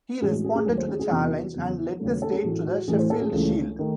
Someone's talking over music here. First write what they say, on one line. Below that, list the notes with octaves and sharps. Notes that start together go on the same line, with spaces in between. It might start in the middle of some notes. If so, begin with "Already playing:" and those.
He responded to the challenge and led the state to the Sheffield Shield.
A2 E3 G#3 G#4
F#4
G#4
G#4
D#2 D#3 F#3 A3 A4
C5
G#4
G#4
E2 C3 E3 F#4
E2 C#3 F#3
D#2 C#3 F#3 A3
A4
G#4
A2 E3 A3 F#4
F#4
A2 E3 A3 G#4
C5
A4
G#4
C#2 C#3 E3 A3
D#3 A3